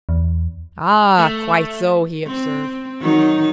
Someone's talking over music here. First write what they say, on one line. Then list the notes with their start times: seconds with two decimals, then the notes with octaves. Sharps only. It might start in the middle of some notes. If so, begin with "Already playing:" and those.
"Ah, quite so!" he observed.
0.09 E2
1.19 A3
2.27 C4
3.01 D#3 F#3 D#4